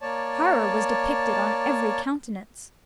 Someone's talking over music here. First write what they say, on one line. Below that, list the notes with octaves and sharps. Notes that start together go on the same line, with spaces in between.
Horror was depicted on every countenance.
A#3 C#5 D5 A5